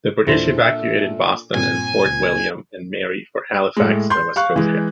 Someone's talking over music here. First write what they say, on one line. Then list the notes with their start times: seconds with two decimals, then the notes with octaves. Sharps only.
The British evacuated Boston and Fort William and Mary for Halifax, Nova Scotia.
0.27 E2 A#2 D4 E4 A4 C5
0.62 E5
1.55 G2 A#2 C4 G#5
2.06 C#2
3.77 A2 G#3
4.10 C6 G6
4.36 F5 C#6 F#6
4.56 E3 G#3